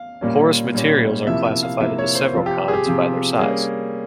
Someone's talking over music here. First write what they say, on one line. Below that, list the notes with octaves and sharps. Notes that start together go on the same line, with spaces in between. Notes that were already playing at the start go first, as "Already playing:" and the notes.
Porous materials are classified into several kinds by their size.
Already playing: F5
A#2 G3 A#3 C#4
A#2 G3 A#3 C#4
C3 F3 A#3 E4 E5
E5
F5
C3 F3 A#3 E4 E5
C#5
C5
C3 F3 C4 F4
G4
G#4
G4
C3 F3 C4
G3 A#3 C#4 G#4